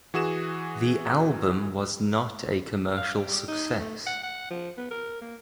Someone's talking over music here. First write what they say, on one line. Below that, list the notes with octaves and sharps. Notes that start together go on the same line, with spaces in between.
The album was not a commercial success.
E3 F#4 G#4 E7
F5
G3
D#4
A3
F#5
F#5
F3
B3
A#4
A#3